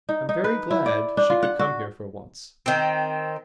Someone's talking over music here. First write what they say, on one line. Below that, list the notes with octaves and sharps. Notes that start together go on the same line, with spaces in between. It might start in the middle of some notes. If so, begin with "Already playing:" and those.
I'm very glad she could come here for once.
D#4
D#4
B4
E4
D5
D4
F4
F#5
F#4
D#3 C4